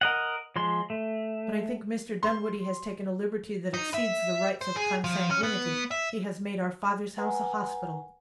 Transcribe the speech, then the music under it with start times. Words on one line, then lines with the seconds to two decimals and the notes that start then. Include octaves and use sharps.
"But I think Mr. Dunwoodie has taken a liberty that exceeds the rights of consanguinity; he has made our father's house a hospital."
0.01 A#4 D#5 F#5
0.56 F3 G#3 C6
0.90 A3
2.23 C6
3.74 D#4
3.94 E5
4.61 C5
4.76 G#4
5.04 F3
5.31 C#4
5.43 B3
5.91 E5
7.18 B4 F#5 G#5 A#5